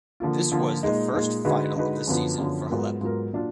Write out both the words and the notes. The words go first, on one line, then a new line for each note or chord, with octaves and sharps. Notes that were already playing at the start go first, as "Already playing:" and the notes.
This was the first final of the season for Halep.
D3 F3 A#3 F4
D3 F3 A#3 F4
A#2 G#3 D#4
A#2 G#3 D#4
D3 G#3 D#4 F#4 B4
D3 G#3 D#4 F#4 B4
F#2 D3 F3 B3
F#2 D3 F3 B3
G#2 F#3 B3 F4 A#4
G#2 F#3 B3 F4 A#4
A#2 F#3 D4 F4